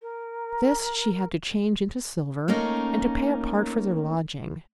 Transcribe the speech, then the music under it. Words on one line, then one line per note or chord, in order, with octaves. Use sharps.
This she had to change into silver and to pay a part for their lodging.
A#4
A3 A#3 C#4 D#4 A#4